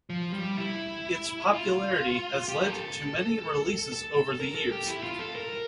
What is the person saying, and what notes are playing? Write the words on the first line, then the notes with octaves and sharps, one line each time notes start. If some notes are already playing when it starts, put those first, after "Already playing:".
Its popularity has led to many releases over the years.
F3
G3
E4
F4
G4
A#4
A4
A4
A#4
A4
G4
E4
F4
A4
A#4